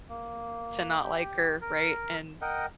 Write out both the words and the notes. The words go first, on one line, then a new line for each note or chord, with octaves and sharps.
to not like her, right, and
A#3
G4
A#4
A#4 D#5 F#5 G5